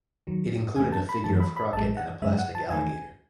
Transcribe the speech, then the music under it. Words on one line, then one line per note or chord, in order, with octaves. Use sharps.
It included a figure of Crockett and a plastic alligator.
D#2 D#3 F#3
E2 B2 A3 G#5
A5
B5
F#2 E3 A3 A5
B5
B5
A1 A2 G#3 A5
F#5
F#2 C#3 G#3 E5
F#5
A5
E2 D#3 A3 G#5